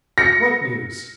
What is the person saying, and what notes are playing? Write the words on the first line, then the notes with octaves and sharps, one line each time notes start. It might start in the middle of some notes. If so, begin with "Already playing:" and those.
"What news?"
A#6 C#7